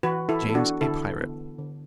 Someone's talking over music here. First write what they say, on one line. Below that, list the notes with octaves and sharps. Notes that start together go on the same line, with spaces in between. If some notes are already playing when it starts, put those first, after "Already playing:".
James, a pirate.
E3 F#4 B4
E4 A4
B3
A4
D4 F#4
D3 E4 A4
B3
D3